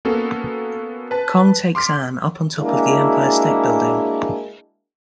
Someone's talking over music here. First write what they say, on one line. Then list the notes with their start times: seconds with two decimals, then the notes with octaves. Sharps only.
Kong takes Ann up on top of the Empire State Building.
0.05 A#3 B3 C#4 F#4 A4
1.11 B4 A5
1.75 C6 D6 F6 B6
2.59 G#3 A#3 D4 E4 F#4 G#4